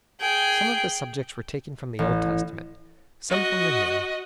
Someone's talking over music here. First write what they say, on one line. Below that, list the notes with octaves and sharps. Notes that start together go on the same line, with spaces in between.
Some of the subjects were taken from the Old Testament, some from the New.
G#4 G5
A1
F#4 D#5